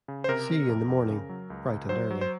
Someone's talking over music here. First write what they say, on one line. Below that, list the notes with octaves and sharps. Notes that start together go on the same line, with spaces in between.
See you in the morning, bright and early.
C#3
C5
C3 A#4
C3
F2
F2
C#3
F#3
C#2
C#2
F#3 C5
F#3
C5